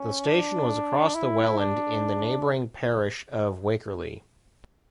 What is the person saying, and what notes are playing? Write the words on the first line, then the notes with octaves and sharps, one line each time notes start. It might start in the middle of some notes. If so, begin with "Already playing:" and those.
The station was across the Welland in the neighbouring parish of Wakerley.
Already playing: C#4
D4
E4
D4